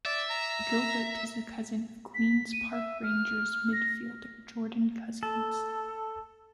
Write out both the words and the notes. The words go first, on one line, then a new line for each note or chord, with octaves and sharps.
Gilbert is the cousin of Queens Park Rangers midfielder Jordan Cousins.
D5 E5
A#5
B6
D#7
E5
F6
A#6
A4